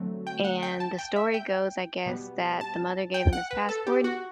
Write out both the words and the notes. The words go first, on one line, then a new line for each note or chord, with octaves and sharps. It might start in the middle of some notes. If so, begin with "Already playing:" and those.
And the story goes, I guess, that the mother gave him his passport and
Already playing: D3 F#3 A3 C4
G5
F#5
G5
A5
G5
E5
G5
B2 G3 B3
A5
G5
F#5
B4
A4
G4
F#4